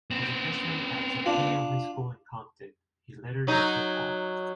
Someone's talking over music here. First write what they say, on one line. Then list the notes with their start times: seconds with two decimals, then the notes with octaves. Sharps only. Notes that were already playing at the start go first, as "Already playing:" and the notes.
As a freshman at Centennial High School in Compton, he lettered in football.
0.11 B3 C4
1.26 D4 F4
3.47 F#3 D#4